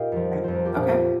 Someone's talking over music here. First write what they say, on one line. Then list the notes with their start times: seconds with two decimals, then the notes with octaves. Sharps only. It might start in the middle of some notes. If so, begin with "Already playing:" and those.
Yeah. Okay.
Already playing: A#2 D#4 G4 A#4 D#5 F5 G5
0.12 F2 F3
0.44 F2 F3 C5
0.55 A#4
0.65 G4
0.75 A#2 F3